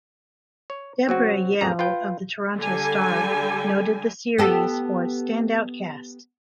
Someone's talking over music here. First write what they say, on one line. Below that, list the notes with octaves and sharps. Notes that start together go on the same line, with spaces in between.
Debra Yeo of the "Toronto Star" noted the series for its standout cast.
C#5
C#3 F#3 C4 F#4
A1 F2 G#4 A#5
F4 B4 G5
D3 G3 G#5
B3 G4 A4